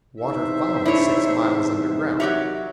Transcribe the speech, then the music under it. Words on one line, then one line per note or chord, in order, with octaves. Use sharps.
Water found six miles under ground.
E2 C3 D#4 C5 E5
D4 E4 C#5
F#3 G4 A#4 C#5 D5 E5